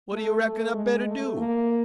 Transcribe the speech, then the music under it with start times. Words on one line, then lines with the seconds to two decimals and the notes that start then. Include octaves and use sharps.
What you reckon I better do?
0.12 A3
0.43 A3
0.73 G#3
1.05 A3
1.36 A#3